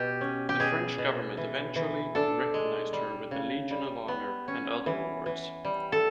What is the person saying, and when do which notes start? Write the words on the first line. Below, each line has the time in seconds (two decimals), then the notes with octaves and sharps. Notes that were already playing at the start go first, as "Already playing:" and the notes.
The French government eventually recognized her with the Legion of Honor and other awards.
Already playing: B2 G4
0.21 C#4
0.49 G4
0.60 B2 G#4
0.98 B2
1.37 E3
1.76 E3
2.15 D4 A4
2.54 G#3
2.93 G3
3.31 C#3
3.71 G3
4.08 B3
4.48 C#4
4.86 E3
5.26 E3
5.65 G3
5.92 A4